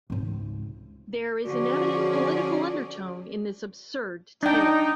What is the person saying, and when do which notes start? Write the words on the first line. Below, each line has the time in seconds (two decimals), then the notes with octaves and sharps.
There is an evident political undertone in this absurd tale.
0.10 G#1 C#2
1.45 D3 F3 C#4 F#4 G#4 D5
4.43 D4 D#4 G5